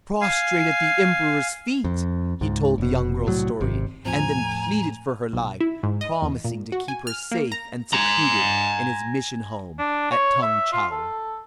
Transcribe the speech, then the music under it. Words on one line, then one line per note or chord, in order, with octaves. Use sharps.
Prostrate at the emperor's feet, he told the young girl's story, and then pleaded for her life, promising to keep her safe and secluded in his mission-home at Tung-Chow.
F5 G#5
F2
C#2 G#2
F1 B2
C2 A2 F#3
G#1 C3
E2 A2 F3 C4 G#5 A#5
B1
E4
G#2
D#5
E2
A#2
F#4
G#5
F6
A#3
A#5
G#5 A#5
D4
C#5
E5
F4
A4